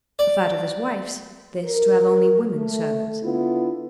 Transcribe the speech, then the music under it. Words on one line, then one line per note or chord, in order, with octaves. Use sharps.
A fad of his wife's, this, to have only women servants.
D5
A#4
A3
D3 B3 E4 F4